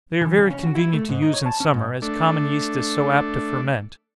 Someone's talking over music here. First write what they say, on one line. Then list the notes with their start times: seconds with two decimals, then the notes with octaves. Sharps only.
They are very convenient to use in summer, as common yeast is so apt to ferment.
0.21 E3
0.38 C#3
0.51 C#4
0.64 F#4
0.75 E4
0.93 A3
1.09 G#2
1.22 D#4
1.33 C#5
1.46 A5
1.60 C#4
1.74 G#2
2.02 A3 D4